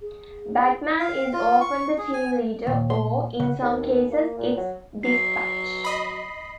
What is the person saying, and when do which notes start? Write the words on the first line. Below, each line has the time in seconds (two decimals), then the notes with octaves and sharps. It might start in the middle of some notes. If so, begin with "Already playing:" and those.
Batman is often the team leader or, in some cases, its dispatch.
0.01 G#4
1.00 F5
1.33 F4
1.61 C#6
1.98 G#4
2.13 G#5
2.67 D#2 A#2
2.90 C6
3.40 C#3 F#5
3.62 D#2
4.12 A#3
4.38 A#2
4.57 F#3
5.03 F#3 C7
5.84 D#5 B5